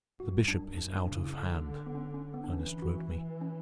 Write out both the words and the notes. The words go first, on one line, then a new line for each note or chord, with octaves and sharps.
"The Bishop is out of hand," Ernest wrote me.
G2 F#4
F#2 D4
F#2 D4
D4
C#3
E4
D3
B3
C#4
C#4
B3
D4
E3 C#4
F#4
C#4